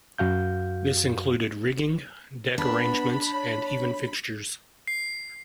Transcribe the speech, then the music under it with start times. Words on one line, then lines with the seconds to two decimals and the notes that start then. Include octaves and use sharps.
This included rigging, deck arrangements, and even fixtures.
0.18 F#2 F#4 F5 G6
2.58 B3 D4 B5
3.34 C#5
4.87 C7